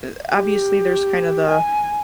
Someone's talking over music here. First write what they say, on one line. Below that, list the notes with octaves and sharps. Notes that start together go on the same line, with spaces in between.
eh, obviously, there's kind of the
G4
G#5